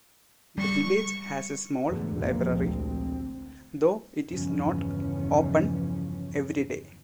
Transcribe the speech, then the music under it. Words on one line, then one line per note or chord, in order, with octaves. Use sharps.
The village has a small library, though it is not open every day.
G3 C#6
E2 G#2 B2 D3 G#3 A3
A#1 E2 C3 F3 G#3 A#3
D2 C4
G1 E2 C#3 E3 F3 C#4